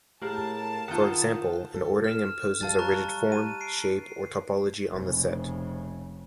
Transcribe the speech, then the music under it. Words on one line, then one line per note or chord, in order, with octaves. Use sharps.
For example, an ordering imposes a rigid form, shape, or topology on the set.
A2 G4 G#4 A#4 F5 A5
D#3 F4 F#5 G6
A4
F6 E7
G3 F5 A5 A6
A#5 C#6 F#6
D#7
C7 D7
F1 C#3